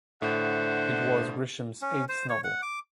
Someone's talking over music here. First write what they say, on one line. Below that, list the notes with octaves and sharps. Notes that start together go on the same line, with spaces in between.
It was Grisham's eighth novel.
A2 D3 C5 E5 F#5
C#4
C5
C#5
F#5
D6